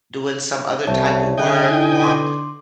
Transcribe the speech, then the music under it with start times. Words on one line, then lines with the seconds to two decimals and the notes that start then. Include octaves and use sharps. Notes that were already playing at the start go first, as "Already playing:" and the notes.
doing some other type of work or,
0.87 C2 C#5 E5 A5
1.38 D3 D#5 E5 G5 G#5 F#6
1.69 D#4 E4
2.04 C6 D6